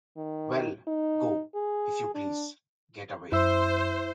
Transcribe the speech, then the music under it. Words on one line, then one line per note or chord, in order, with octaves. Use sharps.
Well, go, if you please — get away!
D#3
D#4
G#4
D4
F#2 E4 C5 E5 E6